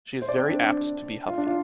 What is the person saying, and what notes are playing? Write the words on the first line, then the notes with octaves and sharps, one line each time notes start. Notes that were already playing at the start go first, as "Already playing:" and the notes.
She is very apt to be huffy.
C5
D5
C4
D4
F4
D4
F4